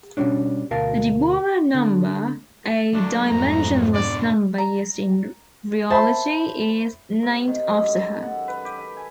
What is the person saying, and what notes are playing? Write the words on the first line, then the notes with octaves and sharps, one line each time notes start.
The Deborah number, a dimensionless number used in rheology, is named after her.
B2 F3 G3 C#4 D4
D2 B2 A#4 F5 A5
D3
F#3 A3 D4
F2 G#2 A#5
B2 D4 D5
A#5
C5 E5 A5 B5 C6
C3
D#3
G#2
F#2
A4
F#5
B4
G4
G5
G#5